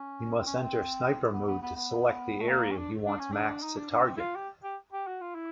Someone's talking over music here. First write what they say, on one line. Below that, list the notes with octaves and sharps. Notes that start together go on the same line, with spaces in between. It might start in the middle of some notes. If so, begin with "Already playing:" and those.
He must enter sniper mode to select the area he wants Max to target.
Already playing: C#4
C4
C#4
C4
B3
B3
B3
B3
A3
A#3
C#4
D4
D4
C#4
D4
D#4
D4
D4
C4
E4
F4
G4
G4
G4
F#4
F4
E4